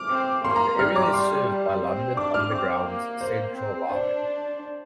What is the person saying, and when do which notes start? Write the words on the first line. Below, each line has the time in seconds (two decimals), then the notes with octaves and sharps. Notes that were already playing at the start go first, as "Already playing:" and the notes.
The area is served by London Underground's Central Line.
Already playing: D6 F6
0.10 C4
0.44 A#3 C6
0.56 A#5
0.78 G3 F6
0.96 D6
1.14 C6
1.83 C4
2.17 D4 D6
2.34 F6
2.51 C4 D6
2.86 A#3
3.21 C5
3.55 C4
3.90 D4 C5